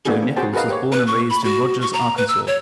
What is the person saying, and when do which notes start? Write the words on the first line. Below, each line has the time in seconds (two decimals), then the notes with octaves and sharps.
Joe Nichols was born and raised in Rogers, Arkansas.
0.05 A#3 B3 D4 F#4 G#4
0.23 C4
0.36 F#4 G#4 C5 G5 A5
0.53 F#4 G#4 A#4 B4 D#5 F5
0.68 G4 C5 C#5
0.92 B4
1.07 C#6
1.30 B5
1.44 F#4
1.81 C#6
1.93 A#5
2.17 B4
2.28 E6
2.47 C#5